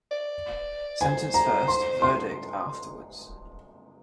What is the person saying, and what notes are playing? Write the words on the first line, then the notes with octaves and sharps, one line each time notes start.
Sentence first—verdict afterwards.
D5
C5 G#5
A#5
C6
C6